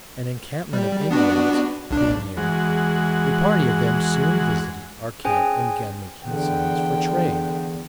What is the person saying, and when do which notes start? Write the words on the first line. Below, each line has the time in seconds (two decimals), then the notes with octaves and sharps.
An encampment of Indians being near, a party of them soon visited our camp and began making signs for trade.
0.73 G3
1.11 B3 D4 F#4
1.91 B1 D4
2.37 E2 G#3 F#4
5.25 C#4 G#4 C5 G5 G#5
6.23 E2 D3 F#5 G5